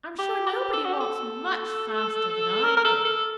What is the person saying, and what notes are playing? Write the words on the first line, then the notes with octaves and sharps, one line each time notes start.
'I'm sure nobody walks much faster than I do!'
G4
G4
A4
F#4
G4
A4
A#4
A#4
A4
A4